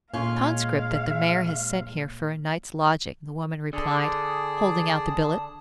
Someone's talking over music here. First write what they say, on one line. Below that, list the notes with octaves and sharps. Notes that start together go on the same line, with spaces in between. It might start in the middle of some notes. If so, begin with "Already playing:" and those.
"A conscript that the mayor has sent here for a night's lodging," the woman replied, holding out the billet.
A#2 G#3 C#4 F4 F5
D3 G#4 D5 A5 D#6